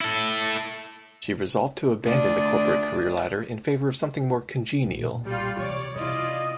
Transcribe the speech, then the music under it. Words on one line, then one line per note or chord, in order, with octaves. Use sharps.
She resolved to abandon the corporate career ladder in favor of something more congenial.
E4 A4
D2 D4 F4 D5 D#6
B1 A#2
G3 F4
C3 E3 C#5 D5
C3 E4 F4 D5 D#5